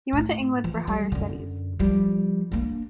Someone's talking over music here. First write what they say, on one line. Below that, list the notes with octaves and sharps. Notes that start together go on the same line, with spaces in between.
He went to England for higher studies.
A2
E3 F3
G3
F#2 D3
F3 G3
A#3 D4